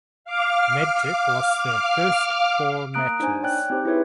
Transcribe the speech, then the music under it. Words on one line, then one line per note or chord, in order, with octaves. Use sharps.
Magic lost their first four matches.
F5 D6 F6
A#3 A#5 D#6 F#6 D7
D4 D#4 C5 G#5
C#5 D5 G5 F#6
C4 D#4 G4 C5
E4 G#4 B4 C#5 E5